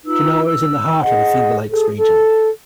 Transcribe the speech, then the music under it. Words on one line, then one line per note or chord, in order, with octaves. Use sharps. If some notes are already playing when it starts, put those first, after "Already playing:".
Genoa is in the heart of the Finger Lakes region.
D#4 F4 B4 E6
E6
G#4 D#5 F#5
G#4 A4
A4